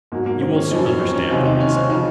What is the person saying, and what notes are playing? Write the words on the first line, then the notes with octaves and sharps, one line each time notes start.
You will soon understand the reason.
G#2 F#3 A#3
A#3
C4
C#4
F#2 F3 D#4
C#4
C4
C#4
C#2 C3 D#3 D#4
D#4
C#4
C4
C#3 F3 D#4